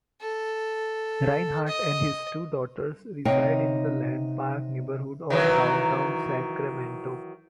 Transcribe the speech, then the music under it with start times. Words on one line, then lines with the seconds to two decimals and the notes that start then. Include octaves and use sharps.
Rinehart and his two daughters reside in the Land Park neighborhood of Downtown Sacramento.
0.21 A4
1.68 D#5
3.25 C3 B3 D#4 C#5 F5 G5
5.30 D#3 E3 F#3